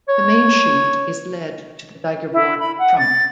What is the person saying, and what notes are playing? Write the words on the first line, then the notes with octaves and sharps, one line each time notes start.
The mainsheet is led to the daggerboard trunk.
C#5
E4
B5
F#5
A6